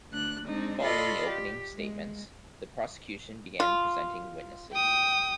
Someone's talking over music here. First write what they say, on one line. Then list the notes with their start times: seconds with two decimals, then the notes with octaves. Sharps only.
Following the opening statements, the prosecution began presenting witnesses.
0.11 D2 D4 F#6
0.45 G#3 C4 D4 D#4
0.81 F4 A4 D5 D#5 B5 C6
1.26 G4
1.74 G#3
3.60 F4
4.72 G5 D#6